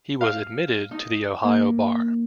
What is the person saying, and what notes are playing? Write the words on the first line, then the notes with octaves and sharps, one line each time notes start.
He was admitted to the Ohio bar.
F5
D#4
A#3